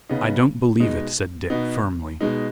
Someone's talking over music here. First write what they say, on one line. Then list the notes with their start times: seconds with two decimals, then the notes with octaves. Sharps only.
"I don't believe it," said Dick, firmly.
0.09 C#3 B3 D#4
0.80 B2 G#3 D#4
1.50 B2 B3 D#4
2.21 B2 G#3 D#4